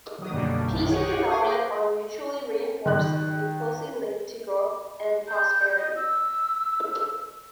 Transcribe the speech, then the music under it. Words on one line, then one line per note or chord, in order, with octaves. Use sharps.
Peace and development are mutually reinforcing and closely linked to growth and prosperity.
D#3 F#3 D#6
F#2 B2 D3 G3 A#3 D4
A#1 F#2 C3 D#3
G4 G#4 C#5 F#5
D#6 G#6 C7
G#4 B4 C5 G5 C6 D6
D#3 F#6
G6
D#5
E6